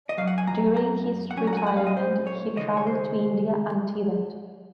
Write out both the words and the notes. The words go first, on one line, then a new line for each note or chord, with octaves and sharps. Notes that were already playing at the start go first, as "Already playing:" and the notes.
During his retirement he traveled to India and Tibet.
D#5
F#2 C#3 F#3 F5
F#5
G#5
A#5
A#5
F#5
A#2 F#3 C#4 G#5
A#5
F#5
G#5
F#5
F5
D#5
C5
C#5
D#2 C#3 G#3 D#4 D#5
C#5
C5